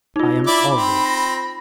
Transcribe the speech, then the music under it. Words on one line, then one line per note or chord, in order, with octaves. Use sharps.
I am of it.
D#4 F4
E4 D5 B5 D6
C4
A#6